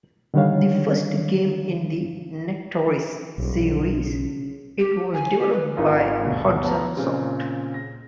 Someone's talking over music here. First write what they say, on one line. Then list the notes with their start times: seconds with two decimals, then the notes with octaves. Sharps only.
The first game in the "Nectaris" series, it was developed by Hudson Soft.
0.34 D3 D#3 G3 D4 C#5 F5
3.38 D#1 B1
4.01 C#3
4.79 G4
5.14 G#5
5.39 G4
5.52 B4
5.76 G#1 D#4 F4 G#4 A#4
6.23 G1 D2 B2
6.63 B3 A5 A#5
6.97 A#2 C#3 C4
7.74 A#6